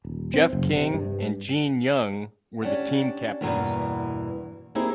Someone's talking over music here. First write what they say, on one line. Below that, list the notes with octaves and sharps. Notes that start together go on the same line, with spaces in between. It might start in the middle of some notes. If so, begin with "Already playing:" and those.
Jeff King and Gene Young were the team captains.
D#1
C4
F#1
C3
G2
C#4 D4 G4 F#5
E2 G2 B2 E3 A#3 B3
A#3 C4 D#4 E4 G4 G#4